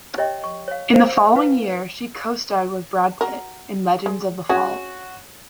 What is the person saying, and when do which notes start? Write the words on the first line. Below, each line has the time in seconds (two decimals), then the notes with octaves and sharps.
In the following year she co-starred with Brad Pitt in "Legends of the Fall".
0.18 G4 C#5 D#5 E5 G5
0.44 C#6
0.68 C#5 F5
0.93 C5 E5 F5
1.36 C#4 D#4 E4 B4 F5
3.21 F#4 A#4
4.06 G#3
4.49 C#4 F#4 G#4